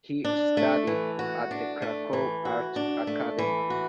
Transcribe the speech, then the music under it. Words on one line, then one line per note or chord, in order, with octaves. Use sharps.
He studied at the Cracow Art Academy.
D4
A3
E3
F#4
D4
A3
E3
F#4
D4
A3
E3
F#4